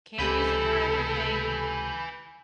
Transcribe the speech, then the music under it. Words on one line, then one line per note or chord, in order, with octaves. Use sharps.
Can't use it for everything
C#2 C3 A4 B4 G#5 B5 G6